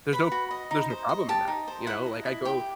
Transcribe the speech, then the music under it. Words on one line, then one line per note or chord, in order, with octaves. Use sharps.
There's no there's no problem in that." You know? Like, I go
B4 B5
F#4
D#5
D#4
C5
D#5
G4 A5
D#4
C5
E4 F#5
D#5
E4
G4 G5